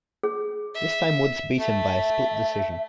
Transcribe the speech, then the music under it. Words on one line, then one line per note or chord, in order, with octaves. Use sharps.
This time Woods beat him by a split decision.
G#4
E5
A3 E5